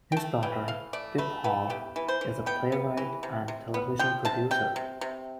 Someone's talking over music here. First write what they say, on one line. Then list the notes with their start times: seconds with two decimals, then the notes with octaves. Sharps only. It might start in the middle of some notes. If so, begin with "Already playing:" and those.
His daughter, Pip Hall, is a playwright and television producer.
0.12 G5
0.17 A3 A5
0.43 E3 G5
0.68 E3 F5
0.93 A3 D5
1.18 A3 B4
1.44 E3 B4
1.70 B3 G4
1.96 E3
2.08 C5
2.21 E3
2.46 B3 G5
2.72 B3
2.97 E3
3.23 C3
3.48 C3
3.74 B3
3.99 F3 G5
4.25 C3 A5
4.51 C3 G5
4.76 C3
5.01 C3